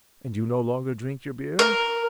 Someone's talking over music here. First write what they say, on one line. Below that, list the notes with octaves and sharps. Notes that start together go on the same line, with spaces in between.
"And you no longer drink your beer?"
A#4